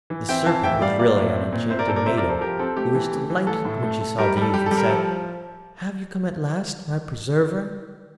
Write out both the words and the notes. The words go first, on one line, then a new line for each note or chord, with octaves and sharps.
The Serpent was really an enchanted maiden, who was delighted when she saw the youth, and said, 'Have you come at last, my preserver?
E3
C4 E5 G5
E3 F5 A5
A2 E5 G5
G3 D5 F5
A#3 D5 F5
A2
C4
A#2
C4 C5 E5
A#4 D5
A#2 A4 C5
A#4 D5
C3 C5 E5
A#4 D5
F3
A4 C5
F3 G4 A#4
C4 A4
A3 G4
E3
A3
E3
A3 A4
A2
A3
A3
G3 G4 A#4
G3 A4
G3 G4
G3 A4
G4 A#4
F3 A4